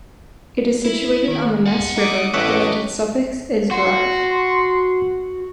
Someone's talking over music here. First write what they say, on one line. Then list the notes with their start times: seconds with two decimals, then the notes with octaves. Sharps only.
It is situated on the Mess River, from which its suffix is derived.
0.84 E4
1.28 D#3
1.66 F#5 C6
1.97 D#4 D6 D#6
2.34 A1 A3 B4 C#5 D#5 E5 F#5 D6
3.71 F#4 C6